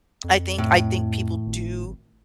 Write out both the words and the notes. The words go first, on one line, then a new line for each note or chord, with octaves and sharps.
I think I think people do
F2
A2
G#1